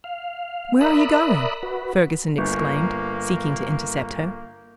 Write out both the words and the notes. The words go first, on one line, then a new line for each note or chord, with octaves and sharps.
"Where are you going?" Ferguson exclaimed, seeking to intercept her.
F5
A#4 D5 E5 B5 D#6 F#6
F#4 B4
G1 A#3